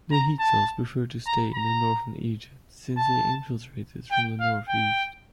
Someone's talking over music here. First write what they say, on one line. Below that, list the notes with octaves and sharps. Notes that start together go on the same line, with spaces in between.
The Hyksos preferred to stay in northern Egypt since they infiltrated from the north-east.
A#5
A5
A#5
A#5
A5
G5
F5
G5